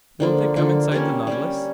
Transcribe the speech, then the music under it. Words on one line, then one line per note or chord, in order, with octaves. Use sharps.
"Won't they come inside the Nautilus?"
D3 F3 A#3
D3 F3 A#3
G3 A#3 C#4
G3 A#3 C#4